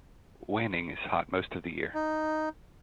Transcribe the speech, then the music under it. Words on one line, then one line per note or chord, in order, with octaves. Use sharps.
Wanning is hot most of the year.
D#4